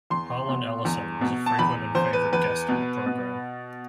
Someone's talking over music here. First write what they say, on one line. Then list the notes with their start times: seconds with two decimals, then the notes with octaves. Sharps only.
Harlan Ellison was a frequent and favorite guest on the program.
0.10 E2 C6
0.49 B2
0.85 E2
1.21 B2
1.46 A5
1.59 E2 B5
1.95 E2 C5
2.13 B4
2.33 E2 B4
2.68 B2
3.06 B2